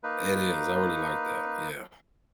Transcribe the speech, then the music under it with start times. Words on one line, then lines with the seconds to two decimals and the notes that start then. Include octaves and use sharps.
It is, I really like that, yeah.
0.04 A#3 D#4 B4